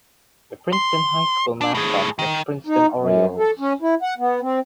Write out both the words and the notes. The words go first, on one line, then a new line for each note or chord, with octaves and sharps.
The Princeton High School mascot was Princeton Orioles.
C6
D4
A2 G#4
D#3
D#4
F#2
A4
C#4
E4
F#5
B3
C4